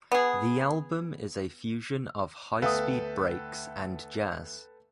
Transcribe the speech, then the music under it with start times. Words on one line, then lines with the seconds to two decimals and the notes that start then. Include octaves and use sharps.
The album is a fusion of high speed breaks and jazz.
0.12 B3 G#4
2.62 D2 B3 A4 B4 E5 F5 G5 D#6